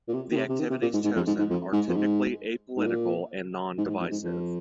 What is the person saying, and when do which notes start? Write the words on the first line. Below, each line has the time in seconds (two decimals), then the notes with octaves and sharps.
The activities chosen are typically apolitical and non-divisive.
0.08 A#2
0.14 C3
0.32 D#3
0.36 C3
0.49 C3
0.59 D#3
0.70 C3
0.82 A#2
0.93 G#2
1.04 G#2
1.16 F2
1.27 G#2
1.39 G#2
1.50 F2
1.73 G#2
1.88 F2
1.96 G#2
2.77 G#2
2.86 A#2
3.78 G#2
3.89 G#2
4.00 F2
4.11 G#2
4.23 F2